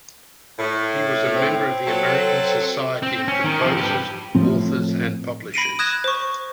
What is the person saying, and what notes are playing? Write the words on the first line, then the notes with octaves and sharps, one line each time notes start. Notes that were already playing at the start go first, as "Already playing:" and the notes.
He was a member of the American Society of Composers, Authors and Publishers.
A2
C4
F#3 A4
C4
C#4
D#3
F3 C4
G4 B4
A2 F3 C4
B5 A#6 D7 D#7
D#6 F#6 G#6 A#6 E7
C5 C#6